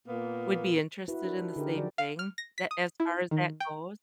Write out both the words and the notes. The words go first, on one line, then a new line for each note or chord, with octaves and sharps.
would be interested in the same thing that as far as that goes.
A#2 A#3 B3
E4 F#4 B4
D4 F#4 G4 A#4
D#4 G4
D3 D#4 G4 G#4 A#4
F3 F#3 F#4 D5
F5
F6
A#6
B6
D#6
E4
D#3
G5